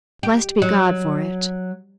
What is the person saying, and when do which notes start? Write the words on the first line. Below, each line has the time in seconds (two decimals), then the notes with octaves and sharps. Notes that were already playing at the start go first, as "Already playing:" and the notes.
Blessed be God for it!
0.23 G4
0.62 F#3